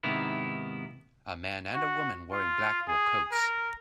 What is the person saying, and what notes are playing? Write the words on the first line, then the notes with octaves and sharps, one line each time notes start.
A man and a woman wearing black wool coats.
G#2 C3 D#3 A#3 B3 E4
F#4
F4
G#4
A#4